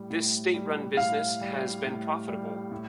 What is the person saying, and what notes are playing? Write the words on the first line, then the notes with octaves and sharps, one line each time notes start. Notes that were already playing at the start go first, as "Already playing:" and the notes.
This state-run business has been profitable.
Already playing: A2 G3
A2
G3
A2 F5
G3
A2
G3
A2